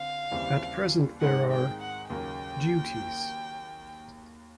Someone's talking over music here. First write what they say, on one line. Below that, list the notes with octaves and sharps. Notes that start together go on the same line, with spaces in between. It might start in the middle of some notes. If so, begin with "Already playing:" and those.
At present there are — duties.
Already playing: D3 C4 F5
D#2 C#3 E3 G3 C4
G#2 D#3 G#3 C4 D#4 F#5
G5
F#5
D#2 C#3 F#3 A#3 G5